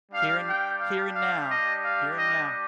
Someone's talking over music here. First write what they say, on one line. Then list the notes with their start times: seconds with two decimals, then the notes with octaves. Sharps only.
Here and Here and Now, Here and Now.
0.12 G3 D4 G4 F5
0.47 G5
0.80 F5
1.14 F5
1.49 D#5
1.83 F5
2.17 D#5